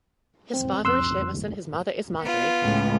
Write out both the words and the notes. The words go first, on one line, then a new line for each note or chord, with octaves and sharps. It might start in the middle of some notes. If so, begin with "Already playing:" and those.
His father is Seamus and his mother is Marjorie.
C4
F2 C6 E6 F#6
B3 F4
C#2 A2